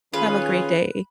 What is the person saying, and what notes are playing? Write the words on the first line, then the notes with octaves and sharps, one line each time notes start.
have a great day
D#3 C#4 F4 G#4 B4